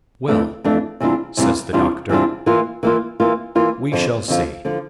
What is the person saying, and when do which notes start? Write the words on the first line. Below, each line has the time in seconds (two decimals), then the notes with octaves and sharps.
"Well," says the doctor, "we shall see."
0.28 F2 E3 A3 D4
0.64 F2 E3 A3 D4
1.01 E2 C3 G3 D4 F4
1.37 E2 C3 G3 D4 F4
1.73 E2 C3 G3 D4 F4
2.09 E2 C3 G3 D4 F4
2.46 E3 A#3 F4
2.83 E3 A#3 F4
3.20 E3 A#3 F4
3.55 E3 A#3 F4
3.92 F2 D3 F3
4.28 F2 D3 F3
4.65 D3 F3